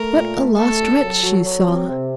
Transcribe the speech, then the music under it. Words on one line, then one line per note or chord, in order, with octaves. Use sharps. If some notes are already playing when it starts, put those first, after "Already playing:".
What a lost wretch she saw!
Already playing: A3 A#4
A#2
A3
A3 A4
C2
F#3
F#3
F#3
C4
C3